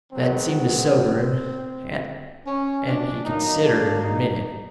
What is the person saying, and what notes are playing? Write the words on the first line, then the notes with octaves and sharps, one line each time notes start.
That seemed to sober him, and he considered a minute.
G#2 D#3 F#3 B3 C4
C4
C#4
D4
B2 F#3 A#3 D#4
D4
D#4